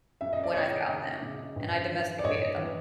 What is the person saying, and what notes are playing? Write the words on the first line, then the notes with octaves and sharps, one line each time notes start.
when I found them and I domesticated them.
F#2 E5
D#5
D5
C#3 C#5 D#5
C#3
C#3
G2
E3
D5
G2 C#5 D#5
E3